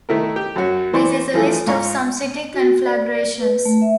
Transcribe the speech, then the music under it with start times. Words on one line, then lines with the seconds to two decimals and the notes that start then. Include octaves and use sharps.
This is a list of some city conflagrations.
0.09 D#3 A3 E4 A#4
0.36 G4
0.56 F#2 F#3 F#4
0.93 E3 C5 D5 C#6
1.34 E3 F3 A3 G#4 A4
1.67 G#2 F4 A#5 C#6
2.54 F#4
2.86 D5
3.40 B4
3.66 A3
3.82 E5